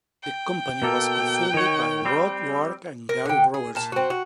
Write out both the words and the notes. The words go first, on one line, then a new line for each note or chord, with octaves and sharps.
The company was co-founded by Rod Roark and Gary Robertson.
G5
B2 A#3 A4
D#3 C#5
G3 C4
A#4
D3 G5
G#4
A#2 A5
C4 F#4
F#4